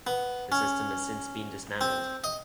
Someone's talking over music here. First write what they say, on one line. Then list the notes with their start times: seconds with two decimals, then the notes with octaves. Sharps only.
The system has since been dismantled.
0.07 B3
0.52 C#4
1.81 C4
2.24 D#5